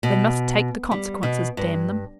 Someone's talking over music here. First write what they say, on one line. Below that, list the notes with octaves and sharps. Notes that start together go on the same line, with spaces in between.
They must take the consequences, d--n them!'
B2
G3
B2
G2